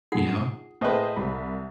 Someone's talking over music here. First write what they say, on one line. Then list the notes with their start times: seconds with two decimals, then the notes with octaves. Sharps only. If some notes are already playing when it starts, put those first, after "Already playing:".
you know,
0.12 D#4 F4 G#4 F#5
0.81 A2 G#4 B4 C5 D#5
1.16 C2 B5